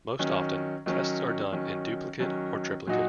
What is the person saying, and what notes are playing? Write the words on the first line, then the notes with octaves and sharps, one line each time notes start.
Most often, tests are done in duplicate or triplicate.
D#3 F#3 C#4
D#3 F#3 C#4
D#3 F#3 C#4
D#3 F#3 C#4
A#2 F#3 D#4 F#4